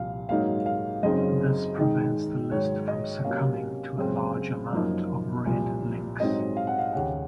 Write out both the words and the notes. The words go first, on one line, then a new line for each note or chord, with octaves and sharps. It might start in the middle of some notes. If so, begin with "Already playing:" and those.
This prevents the list from succumbing to a large amount of "red links".
Already playing: C2 A#2 F3 F5
G#2 F#3 A#3 D#4 F5
F5
F#2 C#3 G#3 C4 D#4 D#5
G#2 D#3 G#3 D#4
G#2 D#3 F#3 C#5
D#5
C3 F#3 A#3 C#4 F5
F#2 C#3 G#3 C4
F#2 F3 A#3 D#4
C2 A#2 F3
G#2 F#3 C4 D#4 D#5
F5
F#5
F5
D#2 C#3 G#3 C#4 F#5